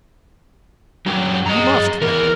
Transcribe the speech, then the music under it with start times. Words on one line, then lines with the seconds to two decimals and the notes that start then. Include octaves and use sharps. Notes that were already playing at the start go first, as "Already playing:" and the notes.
You must, now!
1.06 F#2 F#3 G4
1.46 F#2 G#4 D#5 A#5
2.02 E3 B3 A#4